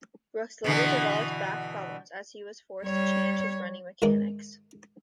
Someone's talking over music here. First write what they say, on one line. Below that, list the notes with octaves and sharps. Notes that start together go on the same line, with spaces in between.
Brooks later developed back problems as he was forced to change his running mechanics.
B2 D3 E3
G3 C#5
G#2 D#3 E3 D#4 G#4 D6